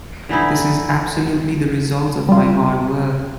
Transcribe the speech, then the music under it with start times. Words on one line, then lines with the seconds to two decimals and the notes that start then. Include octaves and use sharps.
This is absolutely the result of my hard work.
0.29 D3 E3 D#4 E4
2.29 G3 F4